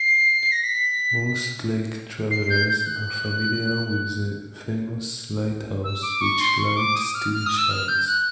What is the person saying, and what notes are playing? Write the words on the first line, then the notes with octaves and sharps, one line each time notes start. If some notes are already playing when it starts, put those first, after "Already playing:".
Most lake travellers are familiar with the famous lighthouse which light still shines.
Already playing: C7
A#6
B6
C7
G6
G6
F#6
E6
D6
C#6
C6
C#6
D6
D#6
F6
F6
D#6
E6
F6
G6
F#6